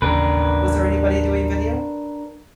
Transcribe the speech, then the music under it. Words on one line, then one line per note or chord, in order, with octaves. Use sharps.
was there anybody doing video?
A1 D#2 C#3 D4 A#4 B4